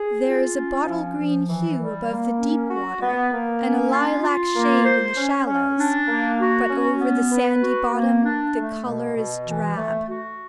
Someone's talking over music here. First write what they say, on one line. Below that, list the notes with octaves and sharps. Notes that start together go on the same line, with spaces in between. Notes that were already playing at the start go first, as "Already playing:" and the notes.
There is a bottle-green hue above the deep water, and a lilac shade in the shallows; but over the sandy bottom the colour is drab.
Already playing: G#4
F4
C#4
F3
F3
E3
G3
A#3
C#4
F#4
B3
A#3
C#4
F4
F4
A#3
C5
C#4
C#4
D4
A#3
F#4
C#4
B3
B4
F#4
A#3
D4
A3
B2
B2
E3
A3
F#4